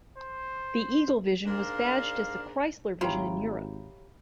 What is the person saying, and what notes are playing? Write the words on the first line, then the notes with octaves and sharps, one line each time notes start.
The Eagle Vision was badged as the Chrysler Vision in Europe.
C5
G#2 A#3 D4 F5
G#1 E4 F4 G4 C#5 A#5